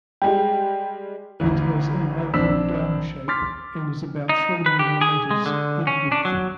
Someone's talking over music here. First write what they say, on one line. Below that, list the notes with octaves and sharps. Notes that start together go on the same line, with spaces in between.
It has an oval dome shape and is about three millimetres in width.
G3 G#3 G4 G5
A1 D2 E3
A#1 F3 C4 D4 E6 B6
C6 D6 F6 A6 B6
D#4
B4
G4
G#4
G#3
D3
C#4
D4
F#3